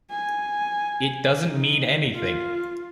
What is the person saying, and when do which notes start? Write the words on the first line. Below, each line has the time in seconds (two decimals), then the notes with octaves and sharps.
It doesn't mean anything.
0.10 G#5
1.44 D#4
2.15 F4